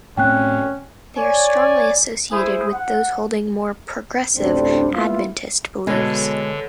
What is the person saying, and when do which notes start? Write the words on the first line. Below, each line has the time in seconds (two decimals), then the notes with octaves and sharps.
They are strongly associated with those holding more "progressive" Adventist beliefs.
0.17 A2 A3 C4 C#4 G5 F#6
1.17 C#5 D5 G#5
2.31 E4 G#4 C5 G#5 D#6
2.73 F#5
4.35 A1 D2 A2 G3 C4 D4
4.93 A#3 B3 E4 F4
5.87 B2 D3 G#3 A4 B4 C#5